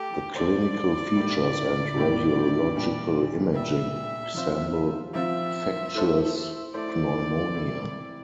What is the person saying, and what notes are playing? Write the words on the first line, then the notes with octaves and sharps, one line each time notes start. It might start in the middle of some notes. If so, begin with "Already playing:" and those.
The clinical features and radiological imaging resemble infectious pneumonia.
Already playing: A3 G4 A4
A3 D4 A4 C5 D5
A2 G3 A#3 E4 G4
A2 G3 A#3 E4 G4
A#2 G3 D4
A#2 G3 D4 E5
F3 C4 F4 C5
F3 C4 F4 C5 E5
A3 E4 A4 C5
A3 E4 A4 C5 D5
C3 E3 A3 E4